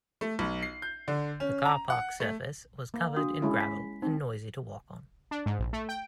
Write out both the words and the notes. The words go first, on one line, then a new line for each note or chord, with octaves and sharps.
The car park surface was covered in gravel and noisy to walk on.
A3
B1
C7
G6
D3
C#4
A#5
F#5
A3
A#3
D4 F#4 D#6
G#3 C#4 E4
B6
C4 D#4
D4
G#2
A#1
A3
G5